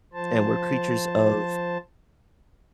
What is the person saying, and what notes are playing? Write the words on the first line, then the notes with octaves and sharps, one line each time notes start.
and we're creatures of
F3 C5 A5